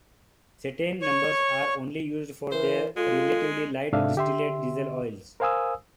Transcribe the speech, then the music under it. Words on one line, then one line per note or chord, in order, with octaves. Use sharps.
Cetane numbers are only used for the relatively light distillate diesel oils.
C#5 C#6
E3 A#4 C5
G#3 F4 A4
G#2 C3 D4 A4 E5 F5
D3 G4 E5 C6
A#4 C5 F5 G#5 D#6 E6